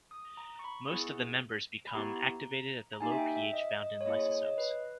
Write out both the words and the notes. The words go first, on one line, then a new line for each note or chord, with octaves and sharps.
Most of the members become activated at the low pH found in lysosomes.
D#6
A#5
C#6
B5
B3 E4 G#4
B5
B3 E4 G4 A#5
A#5
A#3 D#4 G4 G#5
E5
G5
E5
D#5
D#5
C#5
A#3 E4 G#4 D#5
C#5
C#5
D#5
B4